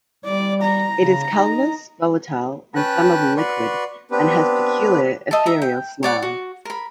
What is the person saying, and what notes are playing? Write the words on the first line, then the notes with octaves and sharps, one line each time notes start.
It is colorless, volatile, and flammable liquid and has peculiar ethereal smell.
G3 D5
A#5
C#3
D#4
C#4 B4 G5 A5 F#6
F#4 B4 D5 C6 C#6
B3 C4 D4 G4 B4
D#5 E5 A5
E5 A#5
G5
C#5 D5 F#5
F#4
A#4 B5